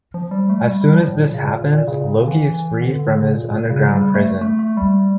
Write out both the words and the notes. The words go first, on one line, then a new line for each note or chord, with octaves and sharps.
As soon as this happens, Loki is freed from his underground prison.
F3
G3
A3
G3
G3
F3
A2
A#2
C#3
A#2
A#2
C#3
C#3
D3
E3
E3
D3
D3
C#3
A#2
A#2
C#3
G3
G3
A3
A3
A3
G3